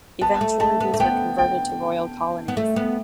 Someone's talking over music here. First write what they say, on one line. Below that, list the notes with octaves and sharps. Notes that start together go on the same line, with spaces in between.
Eventually, these were converted to royal colonies.
B3 A5
A3
A3 A5
B3
A3
B3 G5
G5
B3
A3
B3